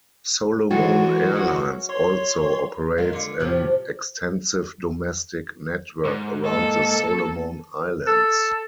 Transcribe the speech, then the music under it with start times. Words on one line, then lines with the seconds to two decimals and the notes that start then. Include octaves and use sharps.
Solomon Airlines also operates an extensive domestic network around the Solomon Islands.
0.71 E3 F#3 G#3 F#4 G#4 A4
1.36 C#4 F#5
1.89 C#5 C6
2.98 D#3 G#3 F4
3.13 D3 G#3 F4
3.40 A2 C3 F3
6.05 G#2
6.45 A#3 A4 D#5
8.07 A4